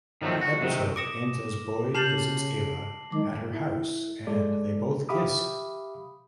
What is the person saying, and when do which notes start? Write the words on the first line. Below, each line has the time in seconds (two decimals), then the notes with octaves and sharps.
The episode ends as Boyd visits Ava at her house and they both kiss.
0.22 D#3 F3 F#3 A3 C4
0.41 F#4
0.62 C3 D#3
0.96 D6 D#6 A#6 C#7 D7 E7
1.95 C#3 G4 A5 F6 G6 A6 C7 F#7
3.11 D#3 F#3 G#3 D6
3.54 E4
4.27 G#3 A4 D5
5.09 G4 E5 F5 B5 D6 D#6